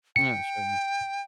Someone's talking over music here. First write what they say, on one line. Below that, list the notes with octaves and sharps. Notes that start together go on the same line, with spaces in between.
Oh, sure.
G5 C#7